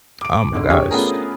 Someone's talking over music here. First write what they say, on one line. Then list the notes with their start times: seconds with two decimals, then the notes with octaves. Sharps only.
Oh my gosh.
0.22 D6 D7
0.53 G#1 D3
0.70 C4 D4 G4 G#4 C#5
0.91 A3 B3 C#4 F4 G#4 A#4